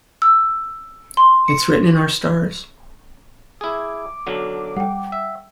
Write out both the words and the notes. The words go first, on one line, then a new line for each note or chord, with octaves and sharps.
Its written in our stars.
E6
C6
C#7
E4 G#4 D6
B1 D3 F#3
G3 F#5 G5
E5